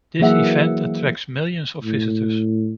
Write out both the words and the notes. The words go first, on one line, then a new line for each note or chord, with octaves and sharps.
This event attracts millions of visitors.
E3 F#3 A#3 G#4 E5 F#5
A2